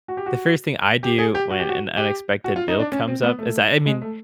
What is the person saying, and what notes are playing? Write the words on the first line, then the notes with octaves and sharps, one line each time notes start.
the first thing I do when an unexpected bill comes up is that, I mean
F#4
G4
F#4
G4
G#4
G4
F#4
G4
F#4
G4
F#4
F4
D#4
D4
C#4
C4
B3
A3
G#3
A3